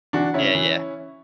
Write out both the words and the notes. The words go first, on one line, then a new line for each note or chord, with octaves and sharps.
Yeah, yeah.
E3 D4 F#4
C#3 C#4 E4
E3